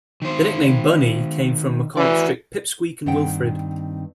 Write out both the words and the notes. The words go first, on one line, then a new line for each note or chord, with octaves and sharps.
The nickname "Bunny" came from a comic strip, "Pip, Squeak and Wilfred".
D#3 C5
E3 F#4 D5
G2 D#3 C4 F#5 G5